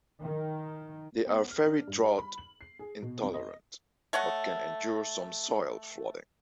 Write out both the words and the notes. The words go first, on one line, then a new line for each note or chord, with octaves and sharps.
They are very drought intolerant, but can endure some soil flooding.
D#3
B3
F6
D4
G2
B5
F#7
C7
G#4
B2
F2
D#5
A3 C#5 D#5 F#5